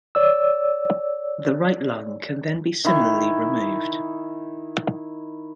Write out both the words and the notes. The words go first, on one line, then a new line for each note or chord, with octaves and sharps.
The right lung can then be similarly removed.
C#5 D5 E6
D#3 E4